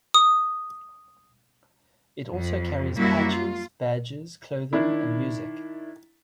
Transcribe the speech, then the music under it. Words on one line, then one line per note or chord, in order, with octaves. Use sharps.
It also carries patches, badges, clothing and music.
D#6
F2
F#2 G3 A#3 E4 F#4 E5
F4
D#3 D4 E4